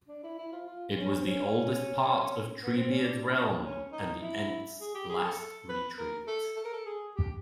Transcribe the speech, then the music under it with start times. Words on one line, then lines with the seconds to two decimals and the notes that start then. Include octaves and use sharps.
It was the oldest part of Treebeard's realm, and the Ents' last retreat.
0.08 D4
0.23 E4
0.38 E4
0.53 F4
0.67 F4
0.98 C#4
1.21 C4
1.27 C#4
2.63 B3
2.78 C4
2.90 C#4
3.03 D4
3.62 C#4
3.92 D#4
4.21 E4
4.81 G#4
4.95 G4
5.10 G#4
5.25 A4
5.39 A4
5.69 B4
5.98 A#4
6.28 A4
6.57 A4
6.65 A#4
6.74 A4
6.86 G#4
7.16 G4